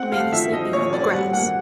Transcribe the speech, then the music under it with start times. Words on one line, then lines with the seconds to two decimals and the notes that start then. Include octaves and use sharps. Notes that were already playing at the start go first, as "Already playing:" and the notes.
A man is sleeping on the grass.
Already playing: C4 F#5
0.12 A3 F5
0.32 F3 E5
0.52 F3 D#5
0.73 A#2 C#5
0.93 C4 D5
1.12 G3 F#5
1.33 A#3 F#5